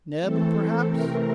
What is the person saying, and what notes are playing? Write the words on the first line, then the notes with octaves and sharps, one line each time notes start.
"Neb, perhaps?"
E3 A3 C4 A4
C3 E3 A3 C4 A#4